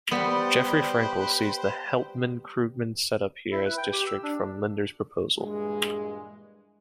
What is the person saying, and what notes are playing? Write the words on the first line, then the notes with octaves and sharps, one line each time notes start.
Jeffrey Frankel sees the Helpman-Krugman setup here as distinct from Linder's proposal.
G3 B3 B4 C5 G5
E4
B4
G5
G4
E6
D4
G2 A#2 E3 G#3